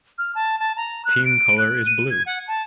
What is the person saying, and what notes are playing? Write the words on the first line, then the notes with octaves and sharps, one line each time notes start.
Team colour is blue.
F6
A5
A5
A#5
F#6
D7
F#6
D#7
G#6
F#5
A5